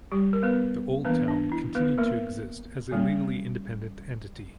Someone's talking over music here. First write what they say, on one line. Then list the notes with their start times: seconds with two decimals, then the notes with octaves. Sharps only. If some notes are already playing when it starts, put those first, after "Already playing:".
The "old town" continued to exist as a legally independent entity.
0.12 G3 G4
0.33 A#4
0.43 B3 B4
1.04 E3 A#3 B3 D4 B4
1.28 D4
1.52 E4
1.75 B3 B4
1.98 A#3 A#4
2.91 D3 G3 A#3 C#4